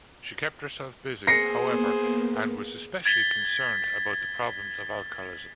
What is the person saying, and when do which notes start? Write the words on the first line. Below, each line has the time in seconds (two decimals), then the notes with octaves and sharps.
She kept herself busy, however, and was especially concerned about the problems of alcoholism.
1.27 A#3 B3 G#4 C5 A#6 C7 C#7
3.06 G#6 A6 B6 G7